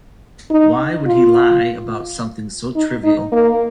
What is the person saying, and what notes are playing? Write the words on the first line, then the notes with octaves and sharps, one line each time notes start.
Why would he lie about something so trivial?
D#4
F4
D#4
D#4
A#3